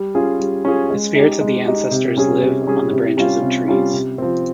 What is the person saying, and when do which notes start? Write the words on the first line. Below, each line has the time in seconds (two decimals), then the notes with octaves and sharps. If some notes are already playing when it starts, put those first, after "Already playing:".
The spirits of their ancestors live on the branches of trees.
Already playing: G3
0.15 C#4 F4 G#4
0.40 G3
0.65 C#4 F4 G#4
0.90 G#3
1.15 D#4 G4
1.41 G#3
1.66 D#4 G4
1.91 C3
2.17 G3 C#4 G#4
2.42 C3
2.67 G3 C#4 G#4
2.93 C3
3.17 G3 C#4 F4
3.42 C3
3.68 G3 C#4 F4
3.93 C3
4.18 F3 C4